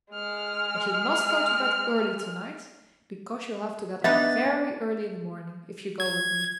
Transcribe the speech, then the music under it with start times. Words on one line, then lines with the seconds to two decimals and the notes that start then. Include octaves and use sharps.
But you must go to bed early to-night, because you'll have to get up very early in the morning, if you go with me!
0.12 G#3 F6
4.04 B3 D4 D#4 B4 E5 A6
6.00 G#6